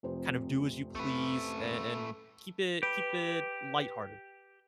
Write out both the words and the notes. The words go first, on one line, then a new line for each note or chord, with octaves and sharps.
kind of do as you please and and keep it keep it lighthearted.
F1 C3 C5
A3 B4
G4 B4